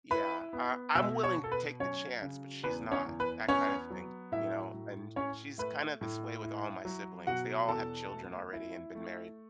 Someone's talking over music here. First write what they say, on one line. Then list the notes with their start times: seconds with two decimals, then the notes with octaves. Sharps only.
Yeah. I I'm willing to take the chance, but she's not. That kind of thing, you know? And she's kinda this way with all my siblings, they all have children already and been married,
0.11 E4 B4 B5
0.53 B3
0.95 B2 E5 E6
1.23 C#5 C#6
1.38 B2
1.44 A4
1.52 B4
1.80 F#3 C#4 C#5
2.22 C#3
2.63 E2 B4
2.91 C#4 C#5
3.06 E2
3.20 B4
3.48 B3 C#4 C#5
3.90 F#3
4.32 A2 E4 E5
4.74 A2
5.16 C#4 C#5
5.58 A3 B4
6.01 A2
6.43 E4
6.85 F#3
7.27 B2 F#4 F#5
7.69 E2 A4 A5
8.11 A3
8.53 E4
8.95 A3